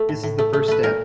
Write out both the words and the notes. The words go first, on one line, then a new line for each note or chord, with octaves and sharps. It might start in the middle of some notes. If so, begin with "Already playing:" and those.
This is the first step.
Already playing: A3
A2
A2
A3
A3
A3 B4
A#2 A#4